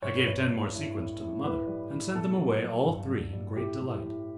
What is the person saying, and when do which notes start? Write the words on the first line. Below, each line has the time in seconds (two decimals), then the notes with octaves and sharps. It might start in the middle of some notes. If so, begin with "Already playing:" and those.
I gave ten more sequins to the mother, and sent them away all three in great delight.
0.02 G2 C#5
0.15 B4
0.26 G2 C#5
0.50 G2
0.74 A2
0.97 A2
1.21 A2
1.44 A2 B4
1.67 G3
1.92 A2
2.15 B2 A4
2.39 F#3
2.62 F#3
2.86 G2
3.09 G2
3.33 G3
3.56 A2 G4
3.80 A2
4.03 A2